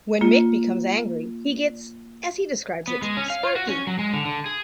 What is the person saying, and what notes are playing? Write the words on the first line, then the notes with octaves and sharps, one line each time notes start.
When Mick becomes angry, he gets, as he describes it, sparky.
A#3 F4
B3
G#3
C#4
F5
F4
F#4
C#4
F#3
G#3
D3
D3
G#4